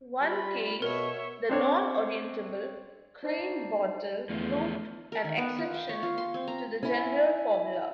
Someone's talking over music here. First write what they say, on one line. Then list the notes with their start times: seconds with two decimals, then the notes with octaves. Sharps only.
One case, the non-orientable Klein bottle, proved an exception to the general formula.
0.21 G3 F4 B5
0.82 B2 A#4 C#5 E5
1.49 C4 D4 C#5
3.23 D4 D#4 C5 D5 A5 C7
4.29 E2 D3 F3 A3
5.12 A#4
5.24 D#3
5.37 B3
5.59 F4
5.74 G5
5.89 C#5
6.03 F4
6.18 C6
6.34 C4
6.48 A#5
6.83 C#4 E4